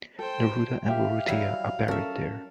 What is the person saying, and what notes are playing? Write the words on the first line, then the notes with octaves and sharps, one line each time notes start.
Neruda and Urrutia are buried there.
A4 C5 G5
G4 E5 F5 G5
F#3 G3 E4
C#4 A4 A#4 E5